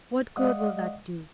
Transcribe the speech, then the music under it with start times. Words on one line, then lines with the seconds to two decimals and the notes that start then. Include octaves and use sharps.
"What good will that do?"
0.37 G#3 D5 D#5 F5 F#5 D#6